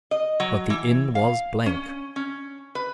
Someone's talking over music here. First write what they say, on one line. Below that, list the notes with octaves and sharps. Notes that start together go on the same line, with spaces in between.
But the inn was blank.
D#5
F#3
E3
F5
C#4
C#4
B4